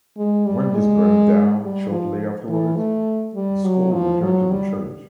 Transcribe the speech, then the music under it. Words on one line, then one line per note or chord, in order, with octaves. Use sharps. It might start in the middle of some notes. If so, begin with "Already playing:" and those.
When this burnt down shortly afterwards, the school returned to the church.
G#3
G3
G#3
G3
F3
E3
A3
G3
F#3
F3
F#3
G3